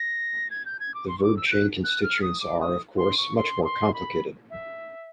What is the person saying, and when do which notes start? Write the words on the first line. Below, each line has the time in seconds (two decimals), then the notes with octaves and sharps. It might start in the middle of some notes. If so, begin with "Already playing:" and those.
The verb chain constituents are, of course, much more complicated.
Already playing: A#6
0.50 G#6
0.65 G6
0.80 G#6
0.94 D6
1.08 C6
1.18 C#6
1.23 D6
1.37 E6
1.46 G6
1.51 F#6
1.84 F#6
2.03 F6
2.22 D#6
2.40 D6
2.61 D#6
2.98 C6
3.17 C#6
3.36 C6
3.64 C6
3.94 B5
4.50 E5